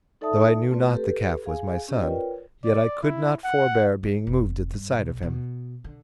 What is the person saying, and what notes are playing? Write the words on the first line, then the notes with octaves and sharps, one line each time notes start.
Though I knew not the calf was my son, yet I could not forbear being moved at the sight of him.
D#4 A4 D5 E5 A5 D#6
A3 C4 F4 B4 D5
G4 A4 B4
G#4 F5 G#5
C#4 G4 D#5
F4 A#4 B4 C#5 D5 G5
D5
E4
F#5
D#4
F1
G2
B1
B2
D3